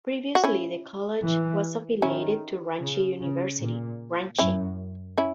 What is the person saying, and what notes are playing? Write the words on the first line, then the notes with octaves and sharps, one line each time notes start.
Previously the college was affiliated to Ranchi University, Ranchi.
F#4
C#4 E4
E3
D#3 C#4 E4
C#3
C#3
A#2
F#2 C#4 E4
C#4 E4